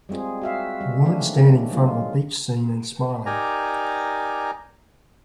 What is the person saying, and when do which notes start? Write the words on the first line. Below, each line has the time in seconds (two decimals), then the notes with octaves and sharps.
A woman standing in front of a beach scene and smiling.
0.09 G3 G#3 C4 F4 G#4
0.42 F#4 E5 F5
0.81 G3
1.05 D#3 F3 G#3 A3 C#4 D4
1.72 F#3 G#3 A#3 F4
3.26 D#4 G4 A#4 D5 G#5 A#5